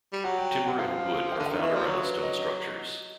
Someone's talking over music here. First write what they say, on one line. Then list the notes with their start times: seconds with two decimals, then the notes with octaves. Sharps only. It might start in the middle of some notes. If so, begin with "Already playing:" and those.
Timber and wood are found around the stone structures.
0.13 G3
0.24 F#3 F#5
0.38 G5
0.51 G5
0.66 F#5
0.78 F3 F5
1.32 F5
1.39 D3
1.46 D#3 F5
1.59 E3 E5
1.68 D#5
1.72 F3 D5
1.86 F#3 C#5
2.05 B4
2.23 D#5
2.40 D#5